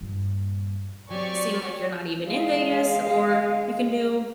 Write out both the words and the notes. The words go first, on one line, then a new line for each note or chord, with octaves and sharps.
seem like you're not even in Vegas, or you can do
G2 A#2
F#3 C4 G4 D5 G#5 C#6
G#3 F5